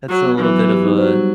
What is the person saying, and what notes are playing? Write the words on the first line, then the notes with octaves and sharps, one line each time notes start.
That's a little bit of a,
F#3 F#4
B3
E3 F#3
F#3
G4
D#4
F#3 C5
G3